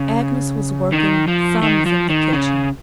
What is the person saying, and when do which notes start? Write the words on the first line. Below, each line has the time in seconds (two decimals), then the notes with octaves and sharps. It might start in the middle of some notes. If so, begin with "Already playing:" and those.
Agnes was working sums in the kitchen.
Already playing: C#3
0.92 D#3
1.28 F3
1.62 D#3
1.86 F3
2.09 D#3
2.33 C#3